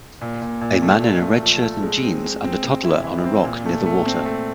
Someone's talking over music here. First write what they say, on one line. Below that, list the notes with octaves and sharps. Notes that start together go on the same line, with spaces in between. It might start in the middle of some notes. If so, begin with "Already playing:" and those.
A man in a red shirt and jeans and a toddler on a rock near the water.
A#2
A#2
A#2
A3
A#2
A3
F3
A3
G#3
C4
G#3
C4
G#3
E4
E3
C4
A#2
A3
A3
C4
A3